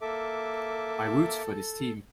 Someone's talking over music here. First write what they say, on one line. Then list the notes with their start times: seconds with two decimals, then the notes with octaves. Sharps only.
I root for this team.
0.01 A#3 A4 E5 D6